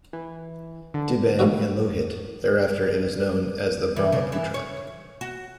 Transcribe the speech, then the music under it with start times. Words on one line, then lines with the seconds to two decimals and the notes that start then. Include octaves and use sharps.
"Dibang" and "Lohit"; thereafter, it is known as the "Brahmaputra".
0.13 E3
0.94 D3
1.39 A1 G#2 G3 F#4
3.96 E3
4.12 C#3
4.32 E3
4.54 C#5
5.21 F#4